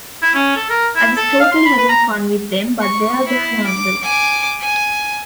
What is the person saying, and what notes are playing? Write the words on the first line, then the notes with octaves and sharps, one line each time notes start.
I was totally having fun with them, but they are there nonetheless.
E4
C#4
A4
A#4
E4
A4
F5
C6
B5
B4
A#5
C#6
E4
D6
G#5 D6
G#5